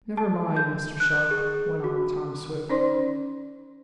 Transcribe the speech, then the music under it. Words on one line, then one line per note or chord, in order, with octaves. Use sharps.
"Never mind, Mr. Sharp," went on Tom Swift.
A5
G6
F#6
G#4
F#4
C#4 D#4 C5 D5 C6